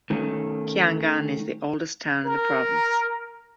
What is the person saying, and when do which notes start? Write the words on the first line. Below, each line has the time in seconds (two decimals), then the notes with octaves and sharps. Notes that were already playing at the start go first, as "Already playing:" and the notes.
Kiangan is the oldest town in the province.
0.10 D#3 A3 C#4
2.25 A#4